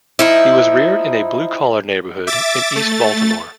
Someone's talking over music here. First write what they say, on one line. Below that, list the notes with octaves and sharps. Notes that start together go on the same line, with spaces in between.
He was reared in a blue-collar neighborhood in East Baltimore.
F3 D#4 E4
E5 D6 A6
A3 A6